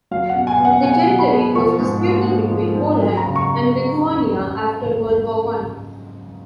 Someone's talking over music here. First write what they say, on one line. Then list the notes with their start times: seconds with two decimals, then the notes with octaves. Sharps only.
The territory was disputed between Poland and Lithuania after World War One.
0.11 F#3 F5
0.29 F#5
0.35 B2
0.47 G#5
0.59 B3
0.65 F#5
0.83 B2 G#5
1.07 F#3
1.19 B5
1.32 B2
1.55 F3 C#6
1.79 G#2
2.04 A#3
2.28 G#2
2.51 F3
2.75 G#2
3.00 F#3
3.17 A#5
3.24 C#3
3.36 C#6